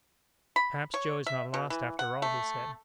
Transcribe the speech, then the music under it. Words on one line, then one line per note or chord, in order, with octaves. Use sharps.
"Perhaps Joe is not lost after all," he said.
B5
C#5
E5
B2
E3
F#5
A3